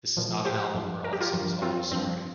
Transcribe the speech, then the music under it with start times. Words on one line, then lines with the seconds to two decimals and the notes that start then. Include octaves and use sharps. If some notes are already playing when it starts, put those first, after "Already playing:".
This is not an album where all the songs follow a story.
0.17 A#2 F3
0.45 G4 C5
0.75 G2 F3
1.04 A#4
1.13 G4
1.20 F4 A#4
1.33 G2 F3
1.62 C4 F4
1.92 G2 F3 C4